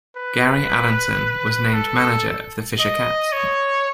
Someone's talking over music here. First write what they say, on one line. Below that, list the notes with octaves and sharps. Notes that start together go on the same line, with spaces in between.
Gary Allenson was named manager of the Fisher Cats.
B4
A4
D#5
C#5